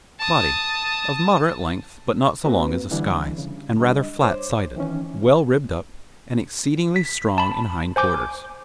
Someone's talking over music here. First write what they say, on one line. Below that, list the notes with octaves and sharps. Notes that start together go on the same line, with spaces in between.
BODY--Of moderate length, but not so long as a Skye's, and rather flat-sided; well ribbed up, and exceedingly strong in hind-quarters.
A5 D#6
A#3 C4 F#4 B4
D3 E3 G3 D4 E4
C#3
G3 D4 D#5
C5 C#5 D6
D#3 E3 C#4
B6
A5 B5
C5 G#5 D6 G6